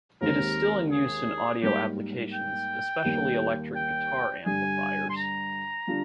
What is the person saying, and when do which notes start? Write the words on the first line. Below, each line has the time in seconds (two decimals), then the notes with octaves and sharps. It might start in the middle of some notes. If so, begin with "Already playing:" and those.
It is still in use in audio applications, especially electric guitar amplifiers.
0.21 D#2 D#3 G#3 C4 G4 A#4
0.92 G#4
1.62 G#2 G3 A#3 D#4 G4 A#4
2.33 G5
3.04 D#2 D#3 G3 A#3
3.76 G5
4.46 G2 D3 G3 G#5
5.09 C6
5.17 A#5
5.87 D3 G3 D4 F4